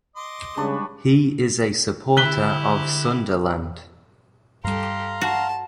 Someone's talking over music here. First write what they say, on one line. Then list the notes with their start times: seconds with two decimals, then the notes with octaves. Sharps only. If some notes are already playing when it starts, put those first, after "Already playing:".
He is a supporter of Sunderland.
0.16 D#5 C6 D6
0.57 C#3 G3 G#3 D4 G#4 B4 C#6
2.17 D3 E4 G4 F#6 B6 G7
4.64 G2 G3 G4 A4 F5 A#5 C6
5.21 F#4 A5